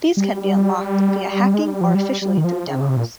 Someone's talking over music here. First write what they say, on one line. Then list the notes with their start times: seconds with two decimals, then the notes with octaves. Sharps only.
These can be unlocked via hacking or officially through demos.
0.17 G3
1.54 G#3
1.67 G3
1.81 F3
1.95 G3
2.22 G3
2.37 D#3
2.44 F3
2.67 C#3
2.75 C3
2.81 C#3
2.89 C3
2.97 A#2